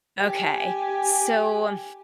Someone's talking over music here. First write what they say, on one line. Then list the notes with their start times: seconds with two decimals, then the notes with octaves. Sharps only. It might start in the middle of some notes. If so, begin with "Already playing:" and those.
Okay. So, um
0.21 G4 G#5